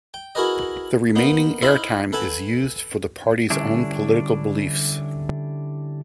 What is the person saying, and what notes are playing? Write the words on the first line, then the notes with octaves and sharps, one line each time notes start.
The remaining airtime is used for the party's own political beliefs.
G5
E4 F#4 G#4 A#4 B4 D#5
A#3 B3 D#4
D#4 E4 C5 E5 F5
A4 B4 E5 F#5 G#5 A5
D3 G3 C#4 D4 E4